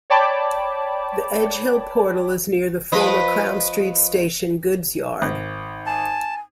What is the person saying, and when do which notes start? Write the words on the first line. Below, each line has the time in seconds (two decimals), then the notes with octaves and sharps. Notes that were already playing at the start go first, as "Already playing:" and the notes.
The Edge Hill portal is near the former Crown Street Station goods yard.
0.10 C#5 D5 G5 A5 B5 D6
2.92 F3 B4 D#5
5.22 G#1
5.86 G#5 A5